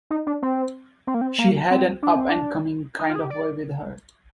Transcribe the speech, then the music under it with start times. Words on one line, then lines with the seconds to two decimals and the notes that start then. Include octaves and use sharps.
She had an up and coming kind of way with her.
0.10 D#4
0.27 D4
0.42 C4
1.07 C4
1.14 A#3
1.21 C4
1.38 A#3
1.71 C4
2.03 D4
2.15 C4
2.29 D4
2.99 D#4
3.09 F4
3.15 G#4
3.20 G4
3.30 D5